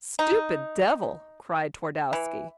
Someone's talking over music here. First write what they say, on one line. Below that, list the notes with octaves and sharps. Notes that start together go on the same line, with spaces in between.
"Stupid devil!" cried Twardowski.
D#4
E3